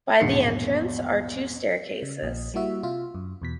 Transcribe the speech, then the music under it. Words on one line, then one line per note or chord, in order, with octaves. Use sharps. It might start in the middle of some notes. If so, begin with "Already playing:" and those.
By the entrance are two staircases.
A#1 E2 G#2 B2 C7 C#7
C#3
A#1 A#2 D#5
G3 A#3 E4 F#4 E5
C3 F4 E5
F#2
E2 B2 B6